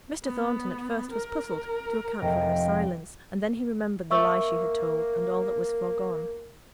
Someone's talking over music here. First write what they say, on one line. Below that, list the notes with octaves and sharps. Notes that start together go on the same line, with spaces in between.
Mr. Thornton at first was puzzled to account for her silence; and then he remembered the lie she had told, and all that was foregone.
B3
A#4
F1 D#5 G5
A#3 E5 C#6 E6